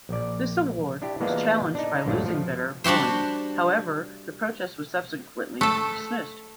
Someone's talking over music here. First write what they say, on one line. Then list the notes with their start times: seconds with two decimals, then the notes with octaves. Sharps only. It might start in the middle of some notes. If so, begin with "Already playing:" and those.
This award was challenged by losing bidder Boeing; however, the protest was subsequently dismissed.
0.09 A#1 D5
1.02 D4 E4 G4
1.20 E3 G#3 A#3 B3 D4 F4
1.75 D4 D#4
2.06 A#1 G2 F#3 A3 D4 F4
2.26 F3
2.84 G3 D4 F#4 G4 C5
5.61 A3 A4